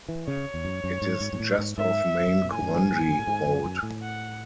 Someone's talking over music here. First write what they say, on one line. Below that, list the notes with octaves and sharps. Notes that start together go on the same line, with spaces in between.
It is just off main Korangi Road.
E3
C#3 C#5
E2
F#2
F#2
G#2
G#2
G#2
A2
G#2
G#2 E5
F#2
B2
A2 G#5
F#2
G#2
G#2
F#2
A2
G#2
F#2
F#2
A2
F#5